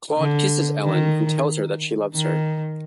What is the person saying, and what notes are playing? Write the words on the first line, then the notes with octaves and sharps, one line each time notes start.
Claude kisses Ellen and tells her that she loves her.
D3
D#3
D#3